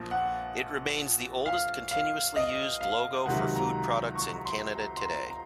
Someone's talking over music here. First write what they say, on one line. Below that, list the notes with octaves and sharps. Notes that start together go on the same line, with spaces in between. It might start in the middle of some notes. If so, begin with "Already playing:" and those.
It remains the oldest continuously used logo for food products in Canada today.
Already playing: A#1 A#2 F3
F#5
F5
F5
D#5
F5
C#2 C3 D#3 F#3 F#5
A#5
C#6
C6
A#5
C6
A#5
A#5